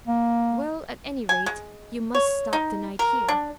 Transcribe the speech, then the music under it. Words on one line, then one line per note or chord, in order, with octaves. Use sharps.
"Well, at any rate, you must stop the night here."
A#3
G#5
G#3
C#5
D#4
A#4
D4